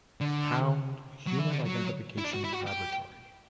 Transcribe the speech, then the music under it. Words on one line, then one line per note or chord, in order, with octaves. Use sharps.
Pound Human Identification Laboratory.
D3
F#3
E3
D3
F#3
E4
D4
F#4
E4
F#4
G4